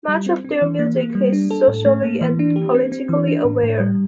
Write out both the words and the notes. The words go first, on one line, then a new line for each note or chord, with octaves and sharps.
Much of their music is socially and politically aware.
G3
C4
C4
E3
A#3
A#3
G3
D4
A4
A2
A3
A#3
E3
D4
G4
C4
C4
E3
D4
A2
A2
G3